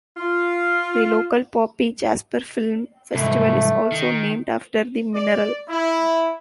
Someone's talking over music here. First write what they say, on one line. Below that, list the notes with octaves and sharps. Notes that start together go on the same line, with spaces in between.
The local Poppy Jasper Film Festival is also named after the mineral.
F4
C2 G#2 A3
D#3
D5
E4